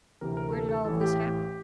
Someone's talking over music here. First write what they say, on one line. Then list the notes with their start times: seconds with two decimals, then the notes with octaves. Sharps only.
"Where did all of this happen?"
0.21 D2 C3 E3 A#4
0.37 A#4
0.53 A4
0.69 A4
0.85 A1 A2 E3 A4
1.01 G4